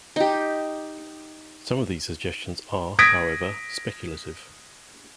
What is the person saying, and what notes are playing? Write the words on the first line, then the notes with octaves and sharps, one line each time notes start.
Some of these suggestions are, however, speculative.
D#4 G4
D#6 G#6 A#6 B6 D7